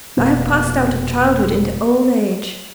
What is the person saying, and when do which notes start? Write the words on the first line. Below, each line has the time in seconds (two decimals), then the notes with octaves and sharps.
I have passed out of childhood into old age.
0.17 F1 B2 A#3 B3